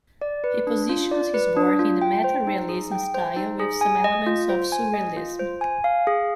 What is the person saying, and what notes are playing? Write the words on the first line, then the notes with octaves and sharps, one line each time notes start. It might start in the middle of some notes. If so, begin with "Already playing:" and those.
He positions his work in the meta-realism style with some elements of surrealism.
D5
B4
D4
F4
D5
B4
D4
F4
G5
C5
D#4
G#4
G5
C5
D#4
G#4
G#5
D#5
F4
C5
G#5
D#5
F4
C5
G#5
F5
G#4